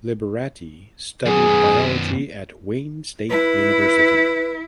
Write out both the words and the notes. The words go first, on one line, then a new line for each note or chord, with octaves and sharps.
Liberati studied biology at Wayne State University.
F#2 B3 G#4
E4 B4